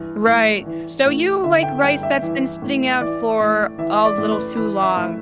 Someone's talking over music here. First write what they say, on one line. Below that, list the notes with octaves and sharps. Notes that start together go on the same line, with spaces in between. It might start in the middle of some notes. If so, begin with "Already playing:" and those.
Right. So you like rice that's been sitting out for a little too long.
Already playing: G2 E3
A2
E3
A2
D3 E5
G5
G2 G5
E5
E3
A2
E3 D5
A2
E3 E5
D5
A2
B4
E3 B4
E5
A2